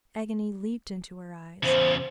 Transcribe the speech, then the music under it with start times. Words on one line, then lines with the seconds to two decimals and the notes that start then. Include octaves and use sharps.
Agony leaped into her eyes.
1.63 E2 C#3 C5